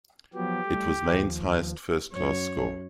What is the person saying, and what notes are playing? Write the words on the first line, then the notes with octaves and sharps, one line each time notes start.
It was Mayne's highest first-class score.
F3 F#3 B3 G4
G3 A3
D#2 F3
F#2 C#5